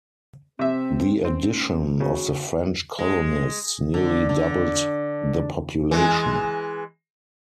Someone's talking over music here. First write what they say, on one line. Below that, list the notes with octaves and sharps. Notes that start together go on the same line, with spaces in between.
The addition of the French colonists nearly doubled the population.
C3 C4 E5
C4 C#4
C#3 F#4
G#3
D3
D3
E3 G#3